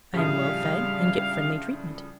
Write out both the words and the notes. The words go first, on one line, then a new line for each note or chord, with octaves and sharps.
I am well fed, and get friendly treatment.
A2 C#3 F3 G3 D4 G4 G#4 F5